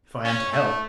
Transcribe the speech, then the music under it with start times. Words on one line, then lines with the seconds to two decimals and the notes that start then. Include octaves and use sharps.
"If I am to help...."
0.25 C#4
0.53 A3